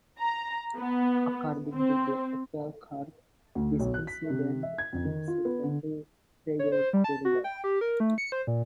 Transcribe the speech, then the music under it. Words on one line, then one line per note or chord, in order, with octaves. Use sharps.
According to the appeal court, this incident almost certainly triggered the riot.
A#5
B3
C4
D2
B1
F#6
B6
C3
E5
G#6
F2
D#3
F4
B3
D3
C#5
C5
G3
A5
F#4
G5
G4
A#4
A3
C#7
C5
A#2